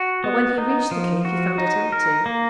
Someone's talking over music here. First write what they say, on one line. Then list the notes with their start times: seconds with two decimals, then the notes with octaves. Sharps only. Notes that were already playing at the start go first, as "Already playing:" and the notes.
But when he reached the cave he found it empty.
Already playing: F#4
0.24 B3
0.58 D#4
0.91 F3
1.25 F#4
1.58 D#4
1.92 A#4
2.26 A#3